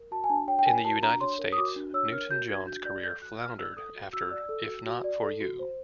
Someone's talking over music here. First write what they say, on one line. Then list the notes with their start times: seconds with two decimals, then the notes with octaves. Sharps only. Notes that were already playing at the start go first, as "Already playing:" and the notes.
In the United States, Newton-John's career floundered after If Not For You.
Already playing: A#4
0.11 F#4 A5
0.24 G#5
0.29 D4 A5
0.48 C#5 G5
0.59 G5
0.66 A#4 G#5
0.85 F#4 A5
1.02 D4 A#5
1.21 C#5 C6
1.39 A#4
1.52 D#6
1.57 F#4 D6
1.76 D4
1.94 C#5 E6
2.12 A#4 F6
2.31 F#4 G6
2.48 D4 G#6
2.67 F#4 G6
2.85 D5 G6
3.03 A4 G6
3.21 F#4 F#6
3.40 F#4 F6
3.58 D5 E6
3.77 A4 D#6
3.95 F#4
4.13 F#4 E6
4.31 D5
4.49 A4
4.68 F#4
4.86 F#4
5.04 D5
5.23 A4
5.41 F#4
5.59 C5